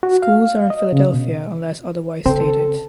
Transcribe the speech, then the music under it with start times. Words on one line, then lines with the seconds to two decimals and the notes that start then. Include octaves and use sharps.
Schools are in Philadelphia unless otherwise stated.
0.03 F#4
0.22 F5
0.70 D#5
0.92 C#3
1.14 B2
2.26 C#3 C4 A4